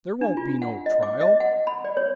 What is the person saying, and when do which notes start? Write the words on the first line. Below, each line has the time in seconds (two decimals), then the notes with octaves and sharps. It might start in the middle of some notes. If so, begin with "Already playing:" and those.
There won't be no trial.
0.21 D4
0.37 F4
0.62 F#5
0.86 D#5
1.03 D6
1.21 D#5
1.40 F#5
1.67 B5
1.85 D5
1.97 C#5